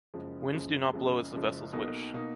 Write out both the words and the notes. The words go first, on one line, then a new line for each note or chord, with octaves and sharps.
Winds do not blow as the vessels wish.
F#1 F#2 F3 G#3
F#1 F#2 F3 G#3
F#1 F#2 F3 G#3
F#1 F#2 F3 G#3
B1 B2 A#3 D#4
B2 A#3 D#4